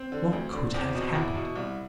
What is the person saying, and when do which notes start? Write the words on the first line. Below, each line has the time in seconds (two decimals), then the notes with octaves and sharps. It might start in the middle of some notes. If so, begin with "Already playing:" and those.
What could have happened?
Already playing: C4
0.12 D3
0.33 D2
0.53 D3
0.74 E2 C4
0.95 B2
1.15 E2 E4
1.35 B2
1.56 C2